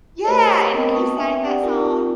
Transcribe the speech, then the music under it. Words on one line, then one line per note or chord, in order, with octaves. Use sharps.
Yeah! And he sang that song
A3 G4 A#4 C5 C#5 D#5
B3 C4 A#4 D#5 G5
B4 A5 C#6 D#6
C4 D4 E5 G5 G#5
G4 D5 F#5 G5
C4 D#4 F4 G4 A#4